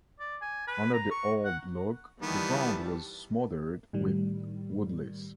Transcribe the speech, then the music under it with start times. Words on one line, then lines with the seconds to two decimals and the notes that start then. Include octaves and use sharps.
Under the old log the ground was smothered with woodlice.
0.20 D5
0.42 G#5
0.67 B4
0.94 A#5
1.11 C#6
1.45 F#5
2.22 D#3 E3 G3 B3 A5
3.93 A2 D#3 G3